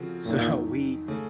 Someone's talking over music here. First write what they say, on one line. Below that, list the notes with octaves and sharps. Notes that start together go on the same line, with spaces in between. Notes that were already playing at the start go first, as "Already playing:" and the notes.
So we
Already playing: C#3 F3 C4 F#4 A4
F2 A#2 D#3 F#3
C#3 A3